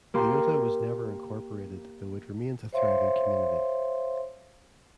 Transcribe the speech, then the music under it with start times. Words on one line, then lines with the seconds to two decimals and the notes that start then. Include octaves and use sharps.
Leota was never incorporated, though it remains a thriving community.
0.14 A#3 G4 C6
2.73 C5 C#5 E5 F5 C6